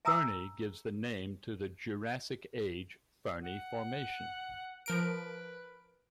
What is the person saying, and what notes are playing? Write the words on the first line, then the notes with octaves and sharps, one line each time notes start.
Fernie gives the name to the Jurassic-Age Fernie Formation.
E5 G#5 A#5 D#6 E6
F#5
F3 A#4 B4 D7